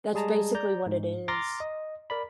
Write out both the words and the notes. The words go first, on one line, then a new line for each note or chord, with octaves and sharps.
That's basically what it is.
G3 G#3 G#4 A5 A#5
D5 A#5 G6
G#2
A#5 C6 D6 F6 A6 A#6
D#5
A#4 D5 B5